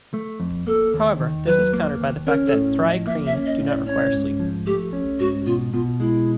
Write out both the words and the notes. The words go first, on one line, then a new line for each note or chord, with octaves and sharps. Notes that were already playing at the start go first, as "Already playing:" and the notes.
However, this is countered by the fact that thri-kreen do not require sleep.
A3
F2
A#3 A4
D#2
D#3
F#3 B4
A#3
D#2
C#4 A#4
A4
A2
F3
D#5
A#3 E5
E5
C#4
D#5
A2
D5
C#4 C#5
G#2
F3
A3 G4
C#4
G#2 F#4
B2 F4
B2 F4
G#3 E4